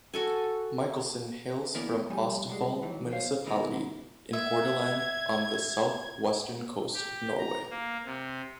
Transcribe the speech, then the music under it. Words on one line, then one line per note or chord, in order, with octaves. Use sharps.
Michelsen hails from Austevoll municipality in Hordaland on the south-western coast of Norway.
F#4 A4 G#5
D3 E3 A#3 B3 D4 E4
C2 F2 G3 G#5
B2 G3 G#3
F2 D#3 E3 F#3
C5 C#5 F5
G2 C3 D#3 B3 D#4 E4
E5 G#6
G4
A#5
A#3
C3